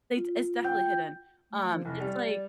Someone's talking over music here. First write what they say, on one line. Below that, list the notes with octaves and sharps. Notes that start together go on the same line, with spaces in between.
they It's definitely hidden. Um, it's like
F4
G5
A3
F3
F1 E4
G3 D5